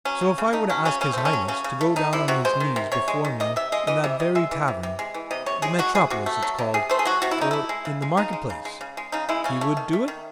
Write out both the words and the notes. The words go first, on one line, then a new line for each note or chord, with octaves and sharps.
"So if I were to ask his highness to go down on his knees before me in that very tavern--'The Metropolis' it's called--or in the market-place, he would do it?"
F#3 C#4
C#3
C#3
A3 D#4
F#3 C#4
C#3 C#4
C#3 C#4
A3 C4
C#4
F#3
C#3 C#4
C#3
A3
D#3 D#4
C3 E4
C3 F#4
G#3 C5
D#3
C3
C3 C#5
G#3
D#3
C3 D#5
C3 E5
G#3 D#5
E3 D#5
C3 E5
C3 D#5
G#3 E5
E3
C3
C3
G#3
E3
C3 D#5
C3 C#5
G#3 G#4
F#3 F#4
C3 G#4
C3 F#4
A3
F#3
C3
C3 G#4
A3 C5
G#4
F#3 F#4
C3 F#4
E4
C3 D#4
A3 E4
G#3
C#3
G#3
C#3 D#4
G#3
C#3
G#3
C#3
G#3
C#3 D#4
G#3 E4
C#3 C#4
A3
D#3
A3
D#3